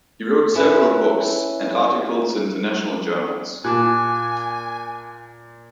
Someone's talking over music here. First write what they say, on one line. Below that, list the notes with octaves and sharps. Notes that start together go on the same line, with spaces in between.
He wrote several books and articles in international journals.
C#4 E4 B4
A#2 G#5 A5 D6 F#6